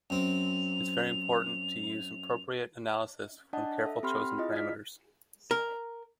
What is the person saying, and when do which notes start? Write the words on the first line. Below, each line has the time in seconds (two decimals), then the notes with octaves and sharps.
It is very important to use appropriate analyses with carefully chosen parameters.
0.10 F#2 C4 F7
3.53 D4 D5 D#5 F#5 A5
3.83 A4 E5
4.03 C4 G4 B5 C6 F6
4.38 E4 F4 G#4 D#5
4.55 D5 F6 B6
5.51 A#4